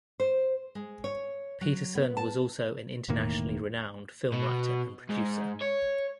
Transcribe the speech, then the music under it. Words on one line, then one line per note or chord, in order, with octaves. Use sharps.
Peterson was also an internationally renowned film writer and producer.
C5
G#3
C#5
F#3
B3
A5
E1 A2 D#3 A#3
B2
G#2
C#5